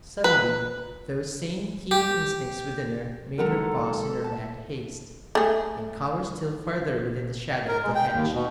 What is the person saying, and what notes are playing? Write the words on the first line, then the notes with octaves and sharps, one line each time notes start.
Suddenly, those same keen instincts within her made her pause in her mad haste, and cower still further within the shadow of the hedge.
B4
G4
D#3 F#3 G#3 A4 A#4 F#5 A#5
A5
A3 G#4
A#4
G#3
G5
D#2
B2